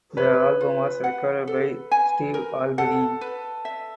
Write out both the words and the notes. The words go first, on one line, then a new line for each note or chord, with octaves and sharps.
The album was recorded by Steve Albini.
B4 C#5
F4
F#5
A4
G#5
A#4
A4 F#5
B4
E5